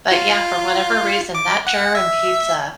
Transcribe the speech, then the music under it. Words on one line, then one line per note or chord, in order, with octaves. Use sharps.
But, yeah, for whatever reason, that German pizza,
F4
D6
F#5
E5